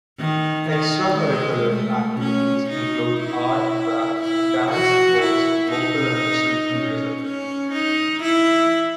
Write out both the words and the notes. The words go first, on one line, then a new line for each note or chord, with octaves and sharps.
Extracurricular activities include art, craft, dance, sports, vocal and instrumental music.
D#3
D#3
G#3
A3
C#4
D#4
E4
E4
F#4
E4
D#4
C#4
C#4
D#4
E4